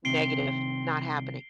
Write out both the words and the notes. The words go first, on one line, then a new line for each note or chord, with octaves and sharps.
negative, not happening,
C2 C3 D#3 C4 C7 D7 G7